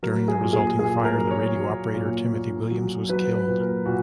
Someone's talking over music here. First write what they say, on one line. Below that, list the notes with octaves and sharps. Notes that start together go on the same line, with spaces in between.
During the resulting fire the radio operator, Timothy Williams, was killed.
F#3 A#4
G#4
A#2
G#4
A#2 G#4
A#4
F#3
C#5
F#3
A#2
A#2
F#3
F#3 B4
B4
A#2
A#4
A#2 F#4